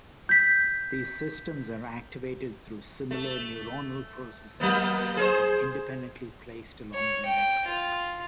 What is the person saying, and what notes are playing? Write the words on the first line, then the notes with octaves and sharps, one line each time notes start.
These systems are activated through similar neuronal processes but independently placed along the network.
G6 B6
A3
F#3 A#3 B3
G#4 A#4 C5
C#5
G5
F4